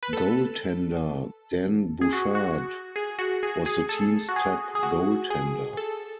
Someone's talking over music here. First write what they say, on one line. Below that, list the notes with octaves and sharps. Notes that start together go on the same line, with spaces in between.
Goaltender Dan Bouchard was the team's top goaltender.
B4
A4
G#4
F#4
F#4
G#4
F#4
G#4
G#4
A4
F#4
G#4
G#4
F#4
G#4
A4